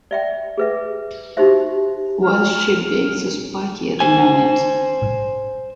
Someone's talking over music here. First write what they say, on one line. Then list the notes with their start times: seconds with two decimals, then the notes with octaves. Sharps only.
Why's she being so spiky at the moment?
0.11 D5 E5 G5
0.58 G#4 B4 E5
1.37 D#4 F#4 G4 C5 E5
2.25 F6
4.00 C5 G#5